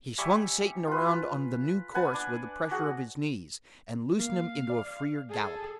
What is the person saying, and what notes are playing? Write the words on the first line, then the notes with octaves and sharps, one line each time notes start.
He swung Satan around on the new course with a pressure of his knees and loosed him into a freer gallop.
G3 E5 G#5 C#6
F4 B4
B4 F#5 G#5 A5
D4
F#4 G#4 F#5
A#3 F5
D5
G#4 A4